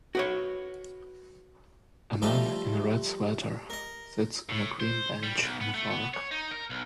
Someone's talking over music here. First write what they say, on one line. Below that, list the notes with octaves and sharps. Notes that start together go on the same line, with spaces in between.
A man in a red sweater sits on a green bench in a park.
F#4 B4 C#5
F3 G3 A3 D#4 F4 G4
A#4 D#5
A2
C5
G3
B1
B3
A3
B3
C#5
D#4
A#4
B1